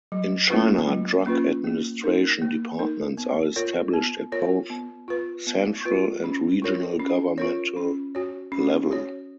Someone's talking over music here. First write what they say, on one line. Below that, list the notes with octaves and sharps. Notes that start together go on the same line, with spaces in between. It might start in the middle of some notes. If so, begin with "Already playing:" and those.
In China, drug administration departments are established at both central and regional governmental level.
F#3
A#3 C#4 F4 B4
F#3
A#3 C#4 F4 B4
A#3
D#4 A#4
A#3
D#4 A#4
B3
F4 A#4 C#5
B3
F4 A#4 C#5
B3
F4 B4
B3
F4 B4
C#4
F4 A#4 C#5
C#4
F4 A#4 C#5
C#4
F#4 C#5
C#4
F#4 C#5